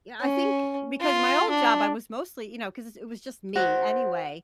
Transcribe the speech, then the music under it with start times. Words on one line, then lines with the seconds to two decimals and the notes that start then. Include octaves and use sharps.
you know, I think because my old job, I was mostly, you know 'cause it was just me anyway,
0.21 C#4
1.00 F4
1.50 D4
3.56 F#4 C5